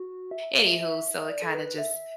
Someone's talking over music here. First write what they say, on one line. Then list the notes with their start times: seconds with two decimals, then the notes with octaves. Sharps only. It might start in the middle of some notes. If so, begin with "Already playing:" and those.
anywho, so, it kinda just
Already playing: F#4
0.31 E5
0.80 E5
1.29 D5
1.42 A4
1.54 B4
1.66 B4
1.78 E5